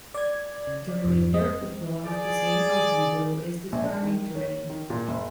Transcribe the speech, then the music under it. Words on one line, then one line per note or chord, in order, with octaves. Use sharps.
The remainder of the floor has the same albedo as the surrounding terrain.
D5 G#6
C#3
D5
F2 G#2 C3 D#3
G#3 C4 D#5
G#4 D5
A#1
D4
D#3
C#5
D#3
A#2
F#1